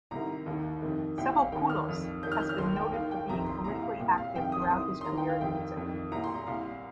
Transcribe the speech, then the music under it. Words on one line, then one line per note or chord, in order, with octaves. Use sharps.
Savvopoulos has been noted for being politically active throughout his career in music.
C2 C3 D#3 A#5
D#2 D#3
F2 C3 D#3
C2 A#2 G5
F5
D#2 D#3 G5
F6
F2 D#3
F2 D#3 G6
F6
G6
F6
D#2 D#3 C6
G5
D#2 D#3 F5
G5
F2 C3 D#3 A#5
C6
C2 A#2 A#5
F5
C2 A#2 G5
F5
F2 C3 D#3 G5
D#6
C6
C2 C3 D#3 D#6
C6
D#2 D#3 A#5
G5
F5
F2 C3 D#3 G5
F2 D#3
C2 A#2 A#5
C6
A#5
C2 A#2 F5